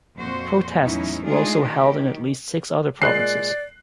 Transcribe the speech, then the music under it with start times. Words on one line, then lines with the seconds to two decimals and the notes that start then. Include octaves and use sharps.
Protests were also held in at least six other provinces.
0.17 F2 A#2 F#4 C5
0.82 E2 A2 F#3 C#4 D#4 E4
1.26 G#3 A3 D4 D#4 F4 G#4
1.62 D#3 G4
3.02 A#2 G#3 D5 F#6 C7